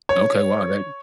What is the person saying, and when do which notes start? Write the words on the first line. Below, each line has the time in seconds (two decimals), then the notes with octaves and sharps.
Okay, wow, that
0.09 C#5